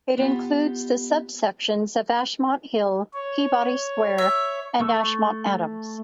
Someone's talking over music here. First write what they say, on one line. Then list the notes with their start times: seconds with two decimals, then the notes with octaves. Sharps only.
It includes the subsections of Ashmont Hill, Peabody Square, and Ashmont-Adams.
0.18 B3 F4 G4
3.14 C#5
4.18 E5
4.80 A3 C#6 E6